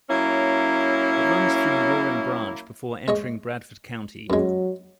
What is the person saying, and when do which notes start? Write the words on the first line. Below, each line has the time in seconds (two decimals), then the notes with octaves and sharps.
It runs through Roaring Branch before entering Bradford County.
0.10 F#3 A#3 C#4 E4
3.08 G#3 C#5 D#5
4.30 F#2 F#3 G#3